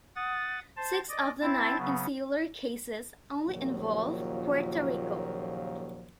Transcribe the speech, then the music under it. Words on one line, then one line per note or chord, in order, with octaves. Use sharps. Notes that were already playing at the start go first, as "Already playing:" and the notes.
Six of the nine Insular Cases only involve Puerto Rico.
F#5 D#6 A6
C5 A5
D5 D#5
C4 E4 A5 A6
C#3 F#3 B3
D#2 A#2 C#3 F3 F#3